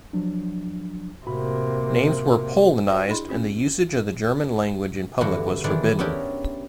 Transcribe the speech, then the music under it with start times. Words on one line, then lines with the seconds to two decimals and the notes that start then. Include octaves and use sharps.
Names were "Polonised" and the usage of the German language in public was forbidden.
0.13 F3 F#3 D4
1.26 A2 C3 A#3 F#4 B5
2.90 F#4 G4 C5 D5 G5
3.07 D4 E4 G#4 D#5 B5 C6
3.28 A#3 C4 C#4 F4 G4
5.21 E2 G2 D3 E3 F#4
5.64 D#3 E3 G#3 D4 D5
5.99 B3 C#4 D4 E4 G4 A#4